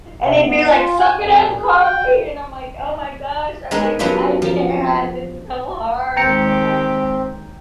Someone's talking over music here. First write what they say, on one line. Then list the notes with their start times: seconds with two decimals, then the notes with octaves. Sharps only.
And he'd be, like, suck it in, Carly, and I'm, like, oh, my gosh. I'm, like, I can't. It's so hard.
0.21 C3
0.46 B3
0.70 F4
0.99 G#5
1.16 F2
1.41 A#2
1.58 G#4
1.80 G5
3.71 G#3 B3 D4 D#4 A#4
3.99 F#3 B3 C#4 D4 F4 G4
4.42 F3
6.17 D#2 G#3 C4 G4 G5 A#5 C#7